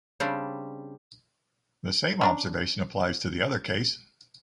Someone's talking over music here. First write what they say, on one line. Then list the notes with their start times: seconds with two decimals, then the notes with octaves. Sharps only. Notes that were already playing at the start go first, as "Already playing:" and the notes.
The same observation applies to the other case.
0.20 C#3 G3 C4 D4
2.21 C#4 D4 A#5